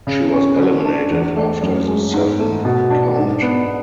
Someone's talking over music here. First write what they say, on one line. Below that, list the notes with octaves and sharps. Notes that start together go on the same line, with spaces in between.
She was eliminated after the seventh count.
C#3
C#4
D3
D4
E2
A3
F#2
G#3
G#2
A3
B2
D4
G#2
B3